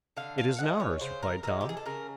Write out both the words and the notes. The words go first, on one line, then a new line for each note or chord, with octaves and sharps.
"It isn't ours," replied Tom.
D3 F5
F5
F3 G#3 F#5
C#5
C#3 C5
A#4
E3 G#3 A#4
G4
G#4
A4
C#3 A#4